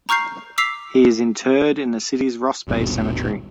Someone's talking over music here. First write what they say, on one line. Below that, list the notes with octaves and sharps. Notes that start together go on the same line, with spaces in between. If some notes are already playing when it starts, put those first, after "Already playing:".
He is interred in the city's Ross Bay Cemetery.
A#5 C#6 F6 G6 C7
D6 E6 B6 C7 F7
D#1 G#1 G2 B2